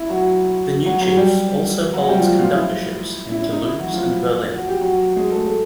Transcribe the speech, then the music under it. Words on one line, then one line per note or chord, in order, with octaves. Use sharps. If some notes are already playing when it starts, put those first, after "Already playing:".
The new chief also holds conductorships in Toulouse and Berlin.
Already playing: E4
F#3 F#4
F#3 F#4
F#3 F#4
G3 G4
F#3 F#4
G3 G4
F3 F4
F#3 F#4
F3 F4
E4
E4
E4
D#4
E4
F#3 F#4
F3 F4
F#4
G4
F#3 F#4
G#3 G#4
A3 A4
A3 A4